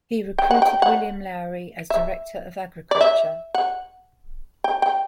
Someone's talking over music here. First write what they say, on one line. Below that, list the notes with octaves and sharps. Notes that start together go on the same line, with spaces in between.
He recruited William Lowrie as director of agriculture.
G5
F#5
G5
F#5
E5
D5
E5
F#5
G5
G5